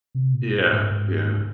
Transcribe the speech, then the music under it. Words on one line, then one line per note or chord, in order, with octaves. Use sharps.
Yeah, yeah.
C3
A#2
A#2
G#2
G#2
G2
G#2